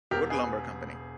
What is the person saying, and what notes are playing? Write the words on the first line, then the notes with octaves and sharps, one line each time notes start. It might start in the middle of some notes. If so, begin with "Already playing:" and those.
Wood Lumber Company.
E1 G4 A#4
G#4 B4